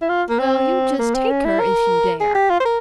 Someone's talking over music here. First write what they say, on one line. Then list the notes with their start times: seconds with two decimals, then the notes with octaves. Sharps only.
"Well, you just take her, if you dare."
0.02 E4
0.09 F4
0.29 A#3
0.39 C4
0.99 A#3
1.15 C4
1.30 C#4
1.45 E4
1.60 A#4
2.21 G#4
2.35 G4
2.50 F4
2.61 C5
2.65 A#4